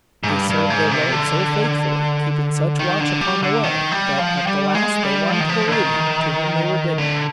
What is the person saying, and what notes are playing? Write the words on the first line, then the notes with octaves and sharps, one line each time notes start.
They served their lord so faithfully, keeping such watch upon the way, that at the last they won to the lady to whom they were bidden.
G#2
G2
G2
G#2
C3
D3
D#3
D3
G3
D3
D#3
G3
F3
G3
G#3
G3
F3
D#3
F3
D3
D#3
D3